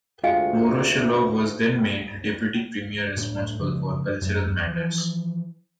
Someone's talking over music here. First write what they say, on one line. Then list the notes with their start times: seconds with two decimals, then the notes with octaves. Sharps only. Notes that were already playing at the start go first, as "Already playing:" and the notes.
Voroshilov was then made Deputy Premier responsible for cultural matters.
0.24 D2 G#3 F4 D#5 F5 G5 G#5 C#7
3.17 A2 D4
3.60 C#3 F3 G#3
4.21 F#2
4.49 E2
4.67 E3 F3